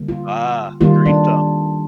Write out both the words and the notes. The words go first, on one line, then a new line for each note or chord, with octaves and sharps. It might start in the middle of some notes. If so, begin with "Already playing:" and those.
Ah, green thumb.
Already playing: D3 G3 A#3
F4
D#3 G3 A#3 F4
D4